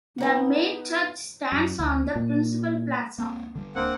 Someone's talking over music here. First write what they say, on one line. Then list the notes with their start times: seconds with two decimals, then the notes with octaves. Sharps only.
The main church stands on the principal plaza.
0.18 B3 D#4 F#5
1.52 F#2
1.79 D2
2.16 A#2
3.18 A#3 C4
3.55 D3 G3
3.75 D1 A#3 C4 D4 F#5